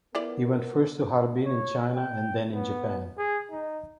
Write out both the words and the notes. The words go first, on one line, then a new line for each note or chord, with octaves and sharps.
He went first to Harbin in China and then in Japan.
F3 B3 E4 A#4 D5
C#5
G5
B3
G#4
D#4